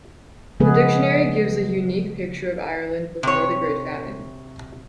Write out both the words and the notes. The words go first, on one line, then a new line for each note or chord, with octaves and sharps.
The dictionary gives a unique picture of Ireland before the Great Famine.
C#3 F3 G#3 B3 G#4 B4
C3 C#5